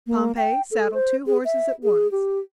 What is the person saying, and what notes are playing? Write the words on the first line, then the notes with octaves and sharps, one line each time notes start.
Pompey, saddle two horses at once.
A#3
G5
A4
C5
G#4
E5
G#4
G4